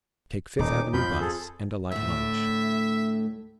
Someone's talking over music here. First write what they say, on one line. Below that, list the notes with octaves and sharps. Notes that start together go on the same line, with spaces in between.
Take Fifth Avenue bus, and a light lunch.
D#1 D#4 D6
F2 F3 B5 G6
G#4 A4
D2 A2 E5